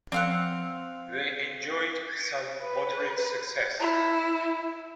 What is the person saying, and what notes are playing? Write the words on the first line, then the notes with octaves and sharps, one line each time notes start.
They enjoyed some moderate success.
F3 C4 F5 F#5
B4
E4